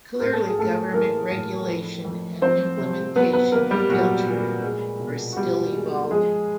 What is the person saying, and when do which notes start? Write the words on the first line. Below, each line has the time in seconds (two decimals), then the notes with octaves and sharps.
Clearly government regulation and implementation of filtering are still evolving.
0.20 A2 A#4
0.33 A4
0.47 G#4
0.58 A2 A3 A4
0.94 E3 A#3 A#4
1.31 A2
1.68 F2
2.04 F2
2.41 F3 C4 C5
2.78 C3
3.16 F#3 B3 B4
3.33 B3 B4
3.52 F#3 A#3 A#4
3.71 G3 G4
3.89 A#2 F#3 F#4
4.26 A#2
4.63 G#3
5.00 B2
5.33 F#4
5.37 B2 G3 G4
5.74 G#3
6.11 F3 G#3 G#4